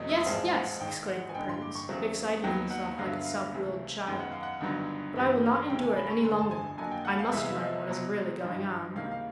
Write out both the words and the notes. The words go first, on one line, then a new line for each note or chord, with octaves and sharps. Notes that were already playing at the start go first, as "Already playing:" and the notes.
"Yes, yes," exclaimed the prince, exciting himself like a self-willed child; "but I will not endure it any longer, I must learn what is really going on."
Already playing: E2 B2 F#3 A3 C4 D#5
E5
A1 G#2 F3 G#3 C4 F5
F#5
G#1 G#2 D#3 G5
F#5
G#5
A1 G2 D3 G5
C6
D6
C#6
E2 C#3 F#3 A3 C4
D#2 D#3 F#3 B3 G5
F#5
G2 D3 F#3 B3 F5
E5
F5
F5
C#2 C3 E3 A3
F#2 D#3 G#3 B3 G5
F#5
F5
F#5
G1 G2 D#3 F#3 B3
G2 E3 G3
C#2 C3 D#3 G5
G#5
B5
C#6
G1 F2 D3 C6
A5
G#5
F2 D3 F#3 A#3 G#5
G5
F#5
F5
C2 C3 E3 G#3 B3 E5
F5
E5
D#5
C2 B2 F#3
G#1 G2 E3 G3
C#2 C3 D#3 G3 A#3 F5
F5